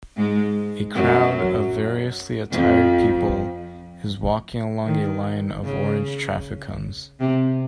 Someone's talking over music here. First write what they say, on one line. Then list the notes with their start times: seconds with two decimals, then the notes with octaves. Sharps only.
A crowd of variously attired people is walking along a line of orange traffic cones.
0.17 G#2 G#3
0.95 F#2 F#3
2.52 F2 F3
4.86 D#3
5.64 C#3
7.20 C3